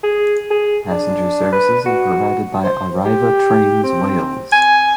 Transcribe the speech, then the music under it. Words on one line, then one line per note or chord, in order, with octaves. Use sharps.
Passenger services are provided by Arriva Trains Wales.
G#4
G#4
D4
B4
F#4
C5
G4
C4
G#5